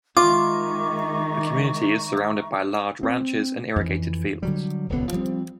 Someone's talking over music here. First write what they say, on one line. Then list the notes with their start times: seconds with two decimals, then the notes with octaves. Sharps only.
The community is surrounded by large ranches and irrigated fields.
0.17 D#3 G#3 D#4 F4 E5 A#5 C#6 D6
3.03 C4
3.76 F2 E3
4.43 D3 F#3 G3
4.89 D#1 C#2 D3 B3
5.12 F3 G3 C4